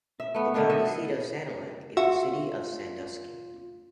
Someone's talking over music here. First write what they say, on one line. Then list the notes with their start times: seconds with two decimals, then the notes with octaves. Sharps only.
The county seat of Sanilac is the city of Sandusky.
0.20 E5
0.34 A3 B3
0.54 D3 D#3 A3 D4
0.69 A4 D#5 E5
1.97 F4 F#4 E5